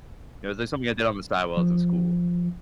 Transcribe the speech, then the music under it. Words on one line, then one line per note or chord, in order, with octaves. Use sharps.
It was just something I did on the sidewalls of school.
F3